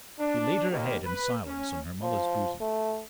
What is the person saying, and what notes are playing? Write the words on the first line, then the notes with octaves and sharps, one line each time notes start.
She laid her head in silence on her mother's bosom.
D4
D#2
B4
C#4
F3
A3